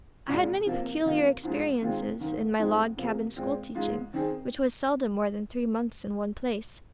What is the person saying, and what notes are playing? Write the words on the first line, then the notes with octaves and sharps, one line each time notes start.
I had many peculiar experiences in my log-cabin school-teaching, which was seldom more than three months in one place.
C2 A#2 G#3 F4
C3 F3 A#3
C3 D#3 A#3 F4
G#2 F3 G#3
C3 D#3 G#3 C4 F4
G#2 D#3 A#3
G#2 F3 G#3 C4 D#4
C3 F3 A#3 G#4
A#2 G#3 C4
G#2 G#3 F4
D#3 C4 D#4 G#4